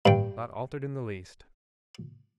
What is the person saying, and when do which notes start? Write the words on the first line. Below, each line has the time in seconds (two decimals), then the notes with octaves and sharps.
Not altered in the least!'
0.06 G2 G5